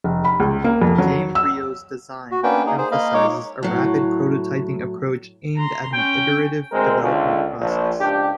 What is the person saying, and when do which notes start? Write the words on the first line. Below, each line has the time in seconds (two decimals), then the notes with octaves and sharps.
Gamebryo's design emphasises a rapid prototyping approach aimed at an iterative development process.
0.04 F1
0.25 B5
0.40 C#2
0.64 A#3
0.82 F2
0.98 F#3
1.35 E6
2.31 F#4
2.43 A#3 B3 C#4 D4 B4 G5
2.66 A#3 D#4 G#4
2.78 G#4 C5
2.92 A#3 D#5 F5 B5
3.14 G#3 D#4 C#5 D6
3.63 A2 F#3
5.57 A#5 C6
5.93 C#4 G5
6.72 D2 G#3 C4 A#4
7.00 C#2 D3
7.60 A#1
8.00 C#2 D4 G4